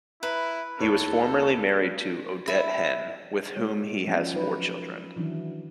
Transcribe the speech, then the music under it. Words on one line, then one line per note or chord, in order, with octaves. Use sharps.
He was formerly married to Odette Heyn, with whom he has four children.
E4 B4 A#5
D#2 A#3 A4 C#5
E4
G#3 C#5
F3 B3 C#4
F#3 D#4 B4
D#3 E3 F#3 D4 E4